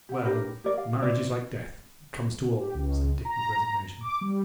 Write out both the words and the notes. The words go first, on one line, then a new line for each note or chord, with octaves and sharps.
"Well! marriage is like death, it comes to all," said Dick, with resignation.
G4 F#5
D4 G4 A#4 B4
G4 A#4 D5
F5
E4 C5 D5
G4
C#2
A#5
D6
G3